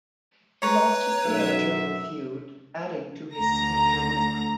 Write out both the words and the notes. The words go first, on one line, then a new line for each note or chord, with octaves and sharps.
He lost his hair during the feud, adding to his signature look.
B4 C#5 A#5 C#6
B1 F#2 E5
D2 D3 A#5 A#6